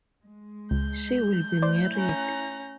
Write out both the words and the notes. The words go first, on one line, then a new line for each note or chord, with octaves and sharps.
She will be married!
G#3
C#2 G6
A3 E4 C5 D5
C#4 A#5